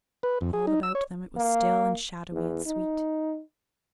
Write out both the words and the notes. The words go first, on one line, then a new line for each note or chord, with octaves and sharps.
All about them it was still and shadowy and sweet.
B4
F2
G#4
D#4
E6
C#5
A#3
E2
D#4